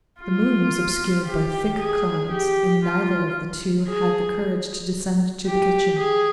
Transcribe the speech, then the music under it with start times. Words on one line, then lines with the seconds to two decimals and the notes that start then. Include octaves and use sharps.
The moon was obscured by thick clouds, and neither of the two had the courage to descend to the kitchen.
0.21 F4
1.26 G4
1.79 G#4
2.31 G4
2.84 F4
3.89 G#4
5.47 G4
5.99 G#4